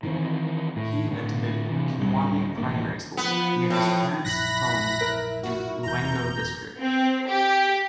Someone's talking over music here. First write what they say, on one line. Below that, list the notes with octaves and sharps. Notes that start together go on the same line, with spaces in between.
He attended Kimwanyu Primary School, near his parents' home in Lwengo District.
D#3 E3 B3 C4
A2
A2 D3
C3 E3
D1 G3 A3 C#4
A1 D#2 A#3
F3 B3
A2
A#1 F#2 E4 B5 F#6 A#6
A#4
F#4
F1 B1 E2 A#5 G6
C4
G4